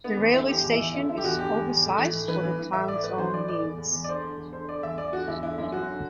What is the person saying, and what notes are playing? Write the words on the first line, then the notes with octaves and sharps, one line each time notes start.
The railway station is oversized for the town's own needs.
D3 B3
E2 C4
D3 E4
E2 G4
E2
E4
E2
D3 E4
D3 E4
G4
E2 F#4
D3 G4
E2
E2
A2
E3
A2
E3 B4
E3
E3
A2 E5
A2 D5
A2 B4
E3 C5
E3 D5
A2 D5
E2
E2
E2
D5
D3 C5
D3
E2
D3 C5
D3 D5
E2 E5
E2 D5
D3 F#4
E2 E4
D3 E4
F#2 E4
F#2 F#4
D3